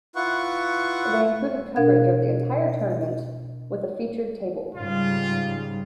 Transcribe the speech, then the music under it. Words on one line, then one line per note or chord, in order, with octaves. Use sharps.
They included coverage of the entire tournament, with a "Featured Table".
E4 F4 B4 F#5 C#6
B2 D4 A#4 F5 G#6
G#2 C#3 G3 F4